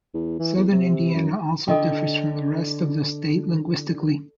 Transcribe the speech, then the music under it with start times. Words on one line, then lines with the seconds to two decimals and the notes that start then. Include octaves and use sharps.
Southern Indiana also differs from the rest of the state linguistically.
0.14 E2
0.39 E3
0.55 E2
0.72 C3
1.14 F#2
1.68 D3 A4 D#5 G5